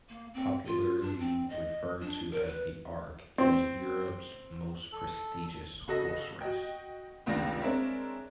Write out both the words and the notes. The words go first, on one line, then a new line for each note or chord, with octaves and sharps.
Popularly referred to as the "Arc", it is Europe's most prestigious horse race.
A#3
C4
F4
D4
C4
D#5
D4
A#4
B4
C4
A4
C#3 F#4 A4 D#5 A#6
F#4 D#5 G5
F1 C#2 D#3 D4 A#6
G#3 C4 D4 A#4 C#5 E5